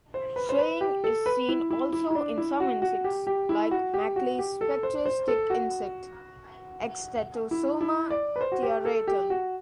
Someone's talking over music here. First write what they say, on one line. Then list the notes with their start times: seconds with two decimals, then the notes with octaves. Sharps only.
Swaying is seen also in some insects, like Macleay's Spectre stick insect, "Extatosoma tiaratum".
0.14 C5
0.36 B4
0.49 C5
0.59 B4
0.81 G4
1.04 A4
1.26 B4
1.49 E4
1.71 E4
1.93 E4
2.11 E4
2.15 D4
2.38 E4
2.60 F#4
2.82 F#4
3.04 G4
3.27 G4
3.49 E4
3.71 F#4
3.94 G4
4.16 F#4
4.39 G4
4.61 A4
4.83 C5
5.06 C5
5.28 A4
5.50 F#4
7.51 E4
7.81 E4
8.10 D5
8.36 B4
8.41 C5
8.52 F#4
8.63 G4
8.85 A4
9.07 G4
9.30 F#4